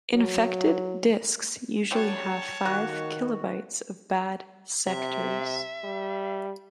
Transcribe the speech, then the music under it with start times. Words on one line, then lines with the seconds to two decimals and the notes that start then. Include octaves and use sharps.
Infected disks usually have five kilobytes of bad sectors.
0.14 F#3
1.91 D3 F#3 G3 C#4 F#4 C#5 G5 A5
2.65 D#3 A#3 F#4 F#5
4.87 C3 E5
5.84 G3